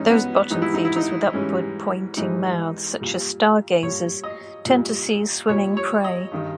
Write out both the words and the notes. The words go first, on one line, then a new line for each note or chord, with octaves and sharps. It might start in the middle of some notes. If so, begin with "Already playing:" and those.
Those bottom feeders with upward-pointing mouths, such as stargazers, tend to seize swimming prey.
Already playing: G#2 E3 G3 C#4 D#4
B3
G#2 E3 G3 D#4
E4
D#4
E4
D#4
G#2 E3 G3 C#4
G#2 E3 G3 D#4
A#2 G3
A#2 G3 C#5
D#5
A#2 G3
A#2 G3 C#5
C#5
D#5
G2 D#3 G3